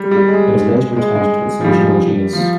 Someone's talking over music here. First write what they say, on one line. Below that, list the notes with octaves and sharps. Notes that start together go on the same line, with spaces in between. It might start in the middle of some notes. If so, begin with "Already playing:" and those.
It was later returned to its original genus.
Already playing: G3
G3
G#3
G#3
G#3
F3
G3
F3